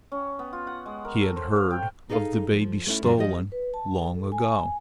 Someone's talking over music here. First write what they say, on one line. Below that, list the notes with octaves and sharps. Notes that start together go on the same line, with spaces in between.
He had heard of the baby stolen long ago.
C#4
B3
F4
F#5
G#3
A#4
A4
C5
F5
G5
D#4 G#4 A4 D5 F5
F3
A3 C#4 E4
F#2 D3 F3 F#3
F3 G4 D#5
B4
A5
A4
G#5